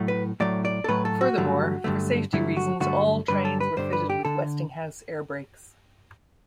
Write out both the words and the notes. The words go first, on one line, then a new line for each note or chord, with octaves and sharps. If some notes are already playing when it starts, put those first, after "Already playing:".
Furthermore, for safety reasons all trains are fitted with Westinghouse air brakes.
Already playing: A2 F#3 A3
B4
A2 F#3 A3 D5
D5
A4
A2 F#3 A3 B4
A4
F#4
G2 D3 F#3 A3
G2 D3 F#3 A3
G2 D3 F#3 A3 E4
F#4
G2 D3 F#3 A3 F#4
G2 D3 G3 B4
A4
B4
G2 D3 G3 C5
B4
G4
D3 A4